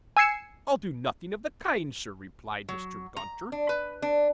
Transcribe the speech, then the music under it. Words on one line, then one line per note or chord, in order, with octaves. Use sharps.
'I'll do nothing of the kind, Sir,' replied Mr. Gunter.
G#5 E6 G#6 C7 C#7 E7
F#3
A#5
D4
B4
D4